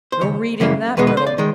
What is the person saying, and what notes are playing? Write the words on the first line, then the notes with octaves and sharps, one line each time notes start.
No reading that riddle!...
C5
D#2 C#3 C#5
F#2 C#3 E3 G3 A#3
E2 B2 G#3 B3 B4
B4
C5
D5
D#3 G#3